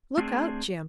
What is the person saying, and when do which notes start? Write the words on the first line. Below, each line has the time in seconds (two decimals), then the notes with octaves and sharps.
'Look out, Jim!
0.18 A3 C4 D4 G#4